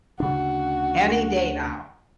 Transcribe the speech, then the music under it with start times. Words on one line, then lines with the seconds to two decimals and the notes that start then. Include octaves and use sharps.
any day now.
0.20 D2 C#3 D4 F#4